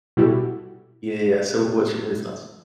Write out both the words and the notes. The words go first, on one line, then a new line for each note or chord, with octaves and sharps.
Yeah, yeah, yeah, so, what's your what are your thoughts?
B2 G3 E4 F#4 G4 A4